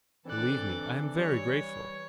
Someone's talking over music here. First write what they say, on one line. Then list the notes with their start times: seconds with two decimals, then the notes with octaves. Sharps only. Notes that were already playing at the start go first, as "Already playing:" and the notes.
Believe me, I am very grateful.
0.25 E3 C4 D4 A4 D5 F#6
1.17 E3 G3 C#5